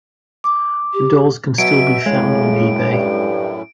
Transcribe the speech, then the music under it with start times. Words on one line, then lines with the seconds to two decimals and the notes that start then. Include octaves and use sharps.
The dolls can still be found on eBay.
0.44 D6
0.94 G4
1.58 B2 F#3 E5 D7
2.06 F#2 A2 C#3 G#3
2.93 G2